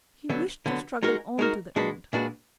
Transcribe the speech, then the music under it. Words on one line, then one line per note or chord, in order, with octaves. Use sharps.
He wished to struggle on to the end.
D3 F#3 B3
D3 F#3 B3
G#3 D#4 F#4 A#4
G#3 D#4 F#4 A#4
A#2 G#3 D4 F#4 B4
A#2 G#3 D4 F#4 B4